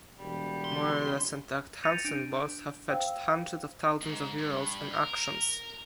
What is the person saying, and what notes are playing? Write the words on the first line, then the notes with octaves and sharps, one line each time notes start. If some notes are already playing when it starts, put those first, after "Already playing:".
More-or-less intact Hansen balls have fetched hundreds of thousands of Euros in auctions.
E1 G3
C6
G6 A6 A#6 C#7 D#7 F7
D4 G6 D7
C5 F5 G5 E6
G#2
G2
A#4